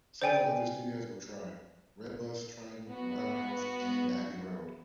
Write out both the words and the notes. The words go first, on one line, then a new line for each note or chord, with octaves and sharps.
Several other studios were tried: Red Bus, Trident, The Roundhouse and Abbey Road.
C5 D5 G5 G#5
B3 F#4